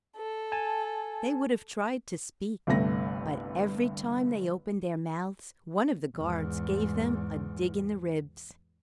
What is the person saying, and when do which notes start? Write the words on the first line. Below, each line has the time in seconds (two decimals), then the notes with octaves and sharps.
They would have tried to speak, but every time they opened their mouths, one of the guards gave them a dig in the ribs.
0.17 A4
0.52 G#5 A5
2.67 G1 C2 G2 A3 A#6
6.16 E2 G#2